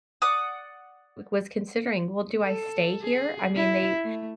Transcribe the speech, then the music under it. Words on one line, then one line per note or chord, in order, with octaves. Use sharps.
was considering, "Well, do I stay here?" I mean, they
D5 F#5 D6 D#6
A4
G#4
E4
A3